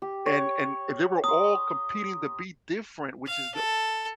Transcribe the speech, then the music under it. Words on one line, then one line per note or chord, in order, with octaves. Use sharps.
And and they were all competing to be different, which is the
G4
C#5
A#5 C6 D#6
F5
A4